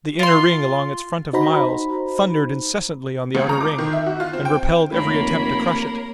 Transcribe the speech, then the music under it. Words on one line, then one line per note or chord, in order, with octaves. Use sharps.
The inner ring along its front of miles thundered incessantly on the outer ring, and repelled every attempt to crush it.
F4 C6
D#4 F#4 C5 A#5 B5
C#2
A#5
D6
D#3
E5
F#4
F4
C4
G5
F1 A#3 A#4 C#5 B5